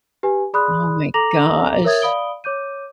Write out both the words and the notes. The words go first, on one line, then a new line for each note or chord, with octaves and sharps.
Oh my gosh.
G4 B4 G#5
G#4 D5 B5 C6 D#6 F#6
A4 A#5 D6 A#6 F7 F#7
A#4 C#5 E5 D#6 G#6 A6
D5 F5 B5 D#6 D7 G7
C#5 D6 G6 D#7